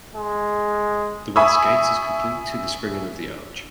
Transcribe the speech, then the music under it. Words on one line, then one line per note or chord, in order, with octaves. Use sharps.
The west gate is complete to the springing of the arch.
G#3
E5 G#5 B5 C#6 D#6 E6